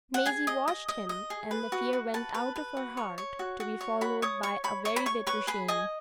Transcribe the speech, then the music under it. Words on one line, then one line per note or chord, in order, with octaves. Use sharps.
Maisie watched him, and the fear went out of her heart, to be followed by a very bitter shame.
F#5
G#4 G#5
D#5
D#5
D#5
D#5
G#4
B4
F#4
F#4
B4 A5
B4
B4
F#4
C#5
C#5
F#4
F#4
C#5
F#4 B5
C#5 D#6
C#5 C#6
C#5 B5
C#5 C#6
B5
C#5 C#6
B4 C#6
G#4 B5
D#5 G#5